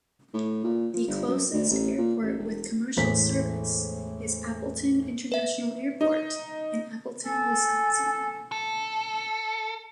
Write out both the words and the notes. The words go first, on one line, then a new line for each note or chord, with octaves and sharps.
The closest airport with commercial service is Appleton International Airport in Appleton, Wisconsin.
A2
A#2
F3
G1
F#2
D2
A1
A#2
A1
E1
E1 A2 E3 C5 B6
B4 E5
D#4
A4 G#5
A4